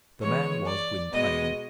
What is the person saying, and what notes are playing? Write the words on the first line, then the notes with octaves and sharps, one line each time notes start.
The man was Gwynplaine.
E3 G#3 B3 C#5
D5
B2 G#3 B3 D#5